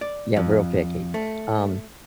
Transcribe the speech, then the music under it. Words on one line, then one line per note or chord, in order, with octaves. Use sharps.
Yeah, real picky. Um
D5
F2
A3